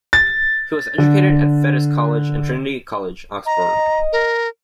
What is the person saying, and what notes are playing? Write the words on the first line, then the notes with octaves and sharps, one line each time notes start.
He was educated at Fettes College and Trinity College, Oxford.
A6
D3
D#5 A#5
A#4